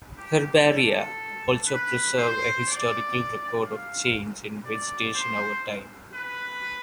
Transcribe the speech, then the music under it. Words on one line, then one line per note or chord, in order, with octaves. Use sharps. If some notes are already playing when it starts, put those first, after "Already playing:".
Herbaria also preserve a historical record of change in vegetation over time.
G4
A4
B4
C5
D5
F5
D5
C5
B4